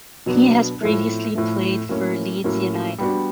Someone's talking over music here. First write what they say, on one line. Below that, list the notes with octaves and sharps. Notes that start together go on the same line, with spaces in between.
He has previously played for Leeds United.
B2 F#3 B3 D4
A2 F3 A3
A2 F3 A3
A2 F#3 A#3 C#4
A2 F#3 A#3 C#4
G3 B3 D4 F#4